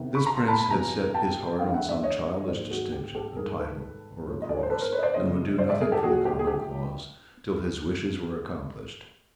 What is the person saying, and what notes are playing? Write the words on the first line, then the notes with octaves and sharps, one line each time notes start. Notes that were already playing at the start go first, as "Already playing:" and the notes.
This prince had set his heart on some childish distinction, a title or a cross, and would do nothing for the common cause till his wishes were accomplished.
Already playing: E2 C3 D#3
B5 C#6
A#5 C6
A#5 C6
A5 B5
A5 B5
F1 E2 B2 F#3 G#5 A#5
G5 A5
G2 E3 G#3 F5 G5
E5 F#5
D5 E5
C#5 D#5
G#1 G#2 D#3 F#3 A#3 C5 D5
F#4 G#4
G4
G4 A4
G#2 D#3 G3 G#4 A#4
A4 B4
G#2 F3 A#3 C#4
D#5
D5
C#5
C5
A4 B4
A#4 C5
B4 C#5
D#5
C5 D5
D#2 C#3 F3 A3 C#5 D#5
C5 D5
D5 E5
G#4 A#4
G4 A4
A#1 A#2 F#3 F#4 G#4
G4
G#4
G4